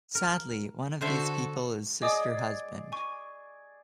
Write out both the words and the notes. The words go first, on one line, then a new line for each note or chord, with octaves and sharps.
Sadly, one of these people is Sister Husband.
A#4
D3 F#4 A4 C5 E5
G#4 D5 D#5 D6 D#6
G#5 C#6